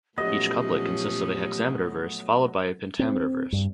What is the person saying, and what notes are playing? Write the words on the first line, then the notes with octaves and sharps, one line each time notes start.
Each couplet consists of a hexameter verse followed by a pentameter verse.
A#2 F3 F#3 A3 B3 C#4 G4 D#5
C4
G2